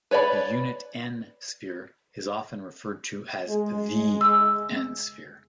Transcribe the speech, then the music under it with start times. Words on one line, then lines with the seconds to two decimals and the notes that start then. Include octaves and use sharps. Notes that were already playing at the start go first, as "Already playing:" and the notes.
The unit "n"-sphere is often referred to as "the" "n"-sphere.
0.11 B4 C#5 D5 G5 B5
3.49 G#3
4.21 E6